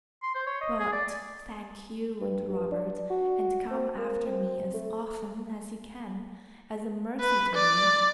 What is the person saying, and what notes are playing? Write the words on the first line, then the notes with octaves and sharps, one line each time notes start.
But thank you and Robert, and come after me as often as you can, as a mercy to me.
C6
C5
C#5
D#5
G#4
D5
G2
G2
D4
F#4
C4
A#3
C4
A3
B4
D5